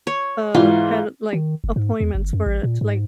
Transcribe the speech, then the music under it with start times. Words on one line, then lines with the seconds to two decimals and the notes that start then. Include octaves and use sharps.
uh, pet, like, appointments for it to, like
0.07 C#5
0.55 G#2 E3 F4
1.33 D#3
1.64 F#1
1.76 G#2
2.00 E2
2.15 G1
2.33 F#2
2.46 A1
2.63 A#2
2.81 G#2